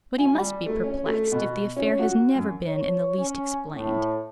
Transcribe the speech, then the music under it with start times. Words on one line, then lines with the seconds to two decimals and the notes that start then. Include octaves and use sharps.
But he must be perplexed, if the affair has never been in the least explained.
0.18 G#5
0.35 G3
0.66 A3
0.84 C#4
1.06 A3
1.32 B2
1.76 C#4
1.99 F#4
2.35 F#2
2.66 C#5
3.17 C#4
3.73 A2